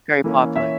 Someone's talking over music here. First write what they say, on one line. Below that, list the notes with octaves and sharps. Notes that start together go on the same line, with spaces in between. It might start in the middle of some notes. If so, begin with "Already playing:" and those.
very popular.
E3 A#3 C#4
C#5 E5